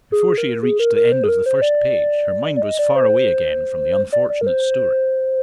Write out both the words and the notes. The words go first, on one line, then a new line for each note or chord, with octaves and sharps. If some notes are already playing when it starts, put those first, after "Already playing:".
Before she had reached the end of the first page, her mind was far away again from the unfortunate story.
G#4
A#4
G#4
A#4
A#4
C5
G#4
A#4
C5
D5
D5
D#5
D5
C5
D5
D5
A#4
C5